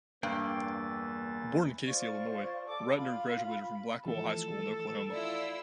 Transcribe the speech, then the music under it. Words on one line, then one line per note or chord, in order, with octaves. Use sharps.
Born in Casey, Illinois, Ratner graduated from Blackwell High School in Oklahoma.
E2 G2 E3 A#3 G5 A6
F4 C5 D5 C#6
A4 D6
F4 B5
E3 F3 A3 A4
E4 F4 D5 E6